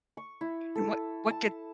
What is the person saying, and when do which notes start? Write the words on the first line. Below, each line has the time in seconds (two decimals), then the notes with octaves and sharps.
And what what could
0.17 C#6
0.41 E4
0.75 A4
1.31 A5